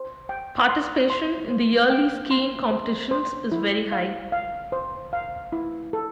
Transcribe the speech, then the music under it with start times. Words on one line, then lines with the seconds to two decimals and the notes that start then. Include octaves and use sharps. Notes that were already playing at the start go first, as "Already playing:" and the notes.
Participation in the yearly skiing competitions is very high.
Already playing: C5
0.29 G5
0.69 C6
1.10 C6
1.50 C5
1.90 G5
2.31 C6
2.71 C5
3.11 C5
3.52 E4
3.92 F5
4.32 F5
4.72 C5
5.13 F5
5.52 E4
5.93 A4